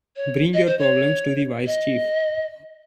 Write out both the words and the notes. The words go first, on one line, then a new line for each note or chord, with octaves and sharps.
Bring your problems to the wise chief.
C#5
D#5
C5
C#5
D#5